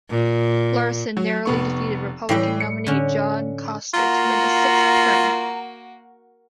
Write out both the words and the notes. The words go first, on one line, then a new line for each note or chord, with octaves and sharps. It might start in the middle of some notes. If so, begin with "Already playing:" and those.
Larsen narrowly defeated Republican nominee John Koster to win a sixth term.
A#2
F#3
F1 B3 C#6
A2 E3 G3 G5 C7
C#7
D3 C#4
A#3 F4 F#4 A#5